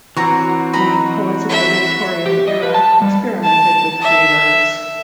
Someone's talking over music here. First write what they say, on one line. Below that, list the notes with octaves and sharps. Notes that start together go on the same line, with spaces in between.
Many poets of the Victorian era experimented with free verse.
E3 C4 F#4 C#5 A#5
D#4 A#5 B5
E5
G4
D#5
B4
A5
G3
A5
E5